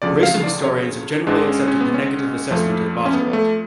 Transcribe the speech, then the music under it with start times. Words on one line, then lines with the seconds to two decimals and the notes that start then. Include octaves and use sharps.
Recent historians have generally accepted the negative assessment of Barttelot.
0.02 D2 C#3 F3 D5
0.23 F5
0.44 D5
0.64 C#5
1.27 G#1 G#2 G#3 D4
1.47 C#4
1.68 C#4
1.81 B3
1.94 C#4
2.51 F2 F3 A3
3.06 C#4
3.13 B3
3.33 A3